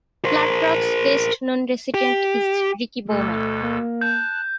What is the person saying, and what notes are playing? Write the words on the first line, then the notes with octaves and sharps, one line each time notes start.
Flat Rock's best known resident is Ricky Bowman.
A#4 C5
G4
D2 B2 A3 A4
A#3
A5 F#6 G6